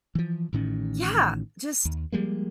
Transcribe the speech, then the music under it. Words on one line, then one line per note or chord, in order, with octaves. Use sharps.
yeah, just
E3 F3
A1 A2 D#3 C#4
D#2
F3 G3 G#3 A#3